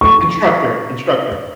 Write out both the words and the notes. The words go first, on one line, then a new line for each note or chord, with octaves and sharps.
Instructor, instructor.
C#6